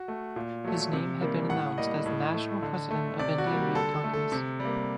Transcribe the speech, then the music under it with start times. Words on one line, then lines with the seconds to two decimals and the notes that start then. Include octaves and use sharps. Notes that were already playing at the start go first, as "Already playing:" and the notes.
His name had been announced as National President of Indian Youth Congress.
Already playing: F#4
0.08 A3
0.36 A#2
0.65 F#3 A3
0.93 C3
1.21 D#3 G3 A#3
1.49 A2 F#5
1.78 G3 A#3 D#5
2.06 A2
2.34 A3
2.62 D3
2.91 A3
3.19 C3 D5
3.38 F#4
3.47 G3 A#3
3.57 G4
3.75 D3 A4
3.94 A4
4.04 A3
4.13 A4
4.32 C3
4.60 G3
4.65 A#3